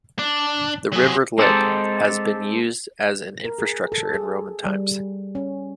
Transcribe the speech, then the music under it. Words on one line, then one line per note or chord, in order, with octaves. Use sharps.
The river Lippe has been used as an infrastructure in Roman times.
D4
F#3 G#4
G#3 C4 D#4 G4 A4
A#4
G#4
A4
G#4
G3
C#4